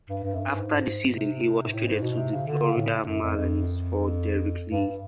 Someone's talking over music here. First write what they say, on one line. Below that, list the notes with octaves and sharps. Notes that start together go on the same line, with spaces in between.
After the season, he was traded to the Florida Marlins for Derrek Lee.
G2
G2
F#2
G2
G#2
C3
G#2
A2
G#2
B2
C3
C#3
D3
C#3
A2
F#2
F2
F2
G2